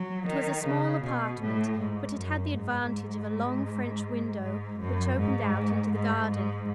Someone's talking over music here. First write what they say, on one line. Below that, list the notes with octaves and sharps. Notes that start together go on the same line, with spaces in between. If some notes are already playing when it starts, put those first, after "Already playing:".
It was a small apartment, but it had the advantage of a long French window which opened out into the garden.
Already playing: F#3
D#3
C#3
B2
A2
G#2
F#2
G#2
G#2
F#2
G#2
G#2
G#2